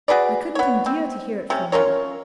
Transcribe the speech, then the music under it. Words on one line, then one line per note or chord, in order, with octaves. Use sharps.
I couldn't endure to hear it from you.
F#4 G#4 B4 D5
B3 C#5
C4
C3 C#4
C#4 F4 A#4 C#5